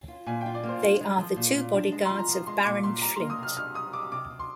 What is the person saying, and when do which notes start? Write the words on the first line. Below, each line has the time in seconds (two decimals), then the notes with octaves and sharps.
They are the two bodyguards of Baron Flynt.
0.08 F4
0.26 A#2 G#5
0.41 G5
0.46 F4
0.55 D5
0.63 A#3
0.69 C5
0.82 D4
1.01 G#3
1.18 F3
1.36 A#2
1.55 A#2
1.74 D4
1.92 G#3
2.05 F3 C6
2.19 A#5
2.28 F3
2.47 G#3 C6
2.65 A#2 D6
2.83 A#2 C6
3.02 G3 A#5
3.16 A#3 C6
3.30 D#6
3.38 C3 F6
3.57 G3 F6
3.74 G3 D#6
3.93 G3 D6
4.12 C3 D6
4.30 C3
4.39 C6